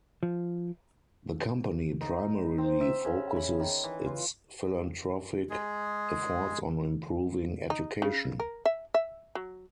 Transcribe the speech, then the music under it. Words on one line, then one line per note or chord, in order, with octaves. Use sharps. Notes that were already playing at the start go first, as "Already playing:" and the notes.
The company primarily focuses its philanthropic efforts on improving education.
F3
D#4
C4
E5
C#3
B5
D#3
E3
F4
G#3 G#4
D#4
C#3
A#4
E5
E5
F#3